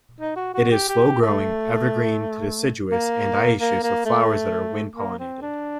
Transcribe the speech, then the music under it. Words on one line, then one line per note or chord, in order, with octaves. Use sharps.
It is slow-growing, evergreen to deciduous, and dioecious, with flowers that are wind-pollinated.
D#4
F#4
F#4
G4
G4
A3
A#3
A#3
A#3
A3
A#3
C4
D4